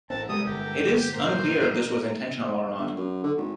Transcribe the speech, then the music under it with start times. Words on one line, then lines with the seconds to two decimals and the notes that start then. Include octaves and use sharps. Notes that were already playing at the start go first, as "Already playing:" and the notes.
It is unclear if this was intentional or not.
0.10 A1 A3 C4 E4 A#4 F#5 A5
0.29 C3 G3 G#3 B3 D#6
0.47 G1 G4
1.14 A#2 A#3 A#4 C5
2.79 G1
2.96 F#2
3.24 D3
3.37 G#1